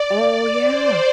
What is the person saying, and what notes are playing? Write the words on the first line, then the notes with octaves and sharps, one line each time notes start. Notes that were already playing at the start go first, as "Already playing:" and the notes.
Oh yeah.
Already playing: D5
C5